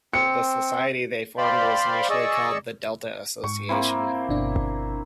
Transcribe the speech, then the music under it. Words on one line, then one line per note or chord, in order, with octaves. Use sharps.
The society they formed was initially called "The Delta Association".
C4 C#7
C5 D5 F5 G5 B5 C6
G#4 D5 D#5 C#6 E6
G#2 C#6
A#3 C4 E4
G1 B2 D4